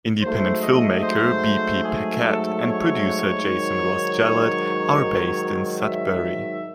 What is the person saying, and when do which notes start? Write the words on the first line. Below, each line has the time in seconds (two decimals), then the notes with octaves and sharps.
Independent filmmaker B. P. Paquette and producer Jason Ross Jallet are based in Sudbury.
0.22 G#2 F#3 A3 C5
0.62 D#5
1.02 C5
1.82 G#4
2.22 A4
2.62 C#5
3.42 G#2 D#3 F#3
5.82 E5